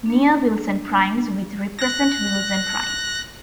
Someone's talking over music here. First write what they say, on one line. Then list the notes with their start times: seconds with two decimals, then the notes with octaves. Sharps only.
Near-Wilson primes with represent Wilson primes.
0.06 A#3 D4
1.79 F#6 A#6